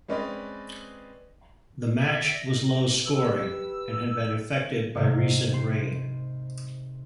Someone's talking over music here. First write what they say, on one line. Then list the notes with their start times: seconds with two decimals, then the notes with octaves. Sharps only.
The match was low scoring and had been affected by recent rain.
0.08 G#3 C4 C#4 B4 D5 D#5
1.98 D5 E5
2.34 A#6
3.05 G4 B4 E6
4.95 G#2 C3 D#3
5.52 G5 C6